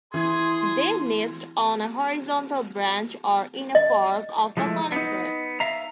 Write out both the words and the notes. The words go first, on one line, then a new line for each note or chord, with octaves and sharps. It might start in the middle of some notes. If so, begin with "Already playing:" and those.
They nest on a horizontal branch or in a fork of a conifer.
E3 G#4 C6
D#5
F3 G#3 A3 E4
B3 D#4
E5 F5 A#5